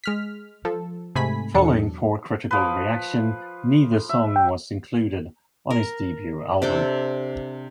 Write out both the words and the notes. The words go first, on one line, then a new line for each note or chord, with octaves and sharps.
Following poor critical reaction, neither song was included on his debut album.
G#3 F6 B6
F3 A4
G#2 C3 A3 G#5 B5 B6
E2 B2 F#3 D4 A4 C#7
F3 B4
E5
G5
A#4
C3 D4 A4 G5